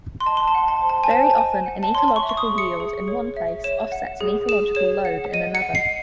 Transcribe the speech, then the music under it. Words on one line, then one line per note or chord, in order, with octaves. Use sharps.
Very often an ecological yield in one place offsets an ecological load in another.
C6
D#5 A5
C6
A5
F#5
A5
C5
A5
G#5
C5 A5
D#5 G#5
F#5
A5
C#5 C6
C6
C#6
E5
C#6
D#6
G#4
C#7
G#4
C#5
E5
C#5 E7
F#5
G#4
G#4 E7
C#5 E7
F#5
D#5 D#7
C#7
F#5
C7